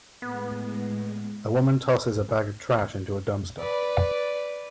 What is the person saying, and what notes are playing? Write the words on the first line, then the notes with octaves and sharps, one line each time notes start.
A woman tosses a bag of trash into a dumpster.
A2 G#3 B3
B4 D5